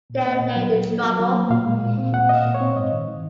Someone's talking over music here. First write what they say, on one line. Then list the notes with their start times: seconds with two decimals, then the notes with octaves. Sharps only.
There lay the trouble.
0.10 A#2
0.25 A#3 D#5
0.40 A#2
0.56 F#3
0.72 F#3
0.87 A#3
1.04 F#3
1.20 F#3
1.35 A#3
1.50 A#2 F5
1.66 G#3
1.82 A#2
1.98 C4
2.13 A#2 F#5
2.29 A#2 D#5
2.35 F5
2.45 A#2
2.54 C#5
2.60 C4
2.76 G#2 D#5
2.92 D#3
3.08 D#3